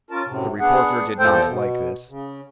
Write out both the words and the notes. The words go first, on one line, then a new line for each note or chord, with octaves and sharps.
The reporter did not like this.
C#4 F4 A#4 A5
F#2 A2 C3
B3 D4 G#4 F#5
E2 A#2 F3 A4 C5 G5
B2
C#3